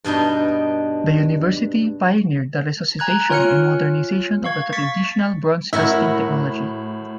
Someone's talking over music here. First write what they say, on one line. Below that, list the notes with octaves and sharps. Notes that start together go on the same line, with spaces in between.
The university pioneered the resuscitation and modernization of the traditional bronze-casting technology.
G2 B2 D4 D#4
G#5 A#5 F#6 G#6
F4 C#5 G#5 F6 F#6 C#7
F5 C#6 G#6
C#6 A6 B6 C#7
A2 E4 F#4 A#4 E5